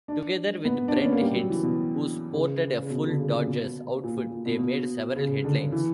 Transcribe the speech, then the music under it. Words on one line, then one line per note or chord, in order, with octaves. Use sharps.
Together with Brent Hinds who sported a full Dodgers outfit they made several headlines.
D4
B3
D4
C#4
B3
A#3
G3
F#3
E3
B2
C#3
C#3
B2
D3
C#3
A#2
B2
A#2
A#2
A#2
B2
B2
C#3
D3
E3